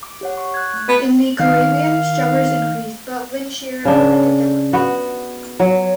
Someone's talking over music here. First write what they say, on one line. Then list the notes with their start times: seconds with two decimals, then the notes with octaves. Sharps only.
In the Caribbean, showers increased, but wind shear prevented development.
0.03 D6
0.21 G4 C#5 F#5
0.38 C#6
0.54 F#6 G#6
0.74 A3 F#6
0.89 B3
1.40 D#3 F5
3.85 C#3 D4
4.73 B3 F#4
5.60 F#3